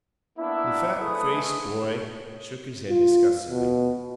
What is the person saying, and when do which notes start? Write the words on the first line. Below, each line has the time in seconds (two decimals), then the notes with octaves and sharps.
The fat-faced boy shook his head disgustedly.
0.39 A#3 B3 D4 E4
0.98 G#3 A3 E4 G#4 B4 D#6
2.90 F4
3.50 B2